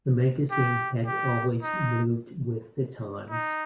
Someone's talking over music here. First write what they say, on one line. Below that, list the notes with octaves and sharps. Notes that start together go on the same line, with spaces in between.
The magazine had always moved with the times.
G4
G4
D#4
D#4